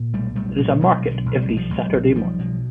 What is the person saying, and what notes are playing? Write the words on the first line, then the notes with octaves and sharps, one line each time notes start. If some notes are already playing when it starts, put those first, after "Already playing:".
There is a market every Saturday morning.
Already playing: A#2
B1 G3 A3
B1 G3 A3
A#2 F#3 G#3
B2 F#3 G#3
B1
D3
B1
G3
B1 G#3
F3 G3
B1 F#3 G#3
B1
B1 F3 G3
B2